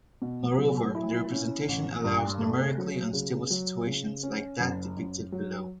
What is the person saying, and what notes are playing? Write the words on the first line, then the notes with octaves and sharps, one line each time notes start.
Moreover the representation allows numerically unstable situations like that depicted below.
B2
F#3
E4
C#4
A1
G2
A3
F#3
C#3
F#3
C#3
C#4
F#1
F#2
F#3